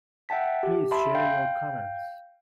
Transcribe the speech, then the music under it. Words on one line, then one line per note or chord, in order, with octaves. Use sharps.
Please share your comments.
E5 F#5 G5 A5 B6
G4
E5 A5 B5 C6
F5 G5 G6